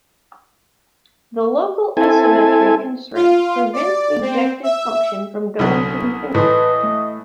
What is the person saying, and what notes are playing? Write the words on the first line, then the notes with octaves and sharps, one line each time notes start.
The local isometry constraint prevents the objective function from going to infinity.
C4 E4 A4 G#5
F4
D5
C4
E5
C2 D3 F#3
A2 E3 B4 D#5 C6
A3